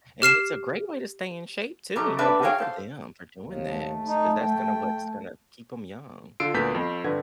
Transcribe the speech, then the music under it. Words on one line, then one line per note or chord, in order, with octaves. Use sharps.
And it's a great way to stay in shape too, you know, good for them for doing that, so 'cause that's gonna what's gonna keep ‘em young.
G4 F6 C7 E7
B2 F#3 A3 G4 A4 A#5
G3 D4 B4 D5 E5
F#4 G#4 C#5 F5 G5
A4 C5 F5
D#2
A3
D#4
G5
D3 F4 E6 C7 D7
D2 A#2 B3 G6 B6
F2
G2 D3 B4 F#5 G#6